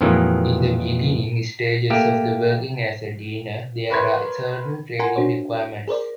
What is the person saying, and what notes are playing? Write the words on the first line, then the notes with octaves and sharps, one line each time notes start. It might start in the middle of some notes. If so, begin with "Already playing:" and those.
In the beginning stages of working as a diener, there are certain training requirements.
F2 A#2 D#3 E3 F#3 G#3
A3 A#3 G4
A#4 B4 C#5 B5 C6 G#6
F4 A#4 F#5 G#5 A#5 C6
D4 F#4 C5 C#5
G#4 A#4 C5 D5